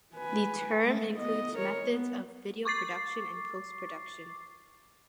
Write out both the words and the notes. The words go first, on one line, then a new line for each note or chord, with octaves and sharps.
The term includes methods of video production and post-production.
B4 G#5
G#3 A3
B3 D#5
A#4 C#5
B3
C#6 D6 A6 C7